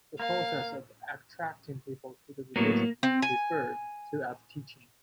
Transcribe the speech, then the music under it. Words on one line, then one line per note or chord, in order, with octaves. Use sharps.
The process of attracting people to the religion is referred to as teaching.
A#3 F5
A2 F#3 A#3 B3
C4
G#5